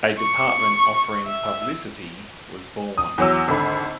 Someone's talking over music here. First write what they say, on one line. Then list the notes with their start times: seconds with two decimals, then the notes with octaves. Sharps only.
A department offering Publicity was born.
0.19 C#6
1.26 E5
2.98 D#6
3.18 E2 F#3 E6
3.48 G#1 D3 B5